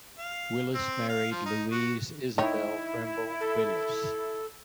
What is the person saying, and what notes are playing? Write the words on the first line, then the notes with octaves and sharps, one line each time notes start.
Willis married Louise Isabel Trimble Willis.
F5
C4
F5
F3
D#4
F#4
D#3 D#4 E4 C#5
A4